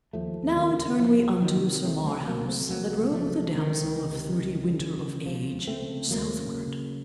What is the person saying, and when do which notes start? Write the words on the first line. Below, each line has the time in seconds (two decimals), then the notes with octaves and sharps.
NOW turn we unto Sir Marhaus, that rode with the damosel of thirty winter of age, southward.
0.13 D#2 F3 A3
0.42 D#2
0.57 D#3 F#3
0.71 C#3
0.99 C2 F3
1.27 C3
1.42 D#3 F#3
1.56 C3
1.84 C2 A3 C4
2.06 A3 C4
2.13 C2
2.27 F#3 A#3
2.41 C3
2.48 A3 C4
2.69 C#2 F#3 A#3
2.97 C3
3.12 F3 A3
3.26 C3
3.55 C#2 D#3
3.83 C#2
4.12 C3
4.40 C#2
4.69 C#3
4.97 C#3
5.25 C#2 F3
5.53 C#2
5.67 A3 C4
5.83 C#3
6.10 D#2 F#3 A#3
6.39 C#3
6.67 C#3